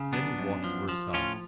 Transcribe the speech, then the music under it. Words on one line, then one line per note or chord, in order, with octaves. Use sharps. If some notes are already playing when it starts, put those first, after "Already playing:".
Then he walked to her side.
Already playing: C#3
F#2 B3 D4
F#2
F3
F3
A2 C#4 F4